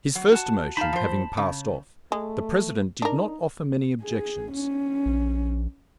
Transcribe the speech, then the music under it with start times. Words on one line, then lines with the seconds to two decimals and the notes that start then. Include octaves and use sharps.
His first emotion having passed off, the President did not offer many objections.
0.15 F#3
0.32 F#4 A5
0.77 D#4 F5 A5 B5
0.93 F3 C5
1.37 C#3
2.12 G#3 A3
3.02 D4 D#4 A#4
4.03 G#4
4.52 C#4
5.06 A#1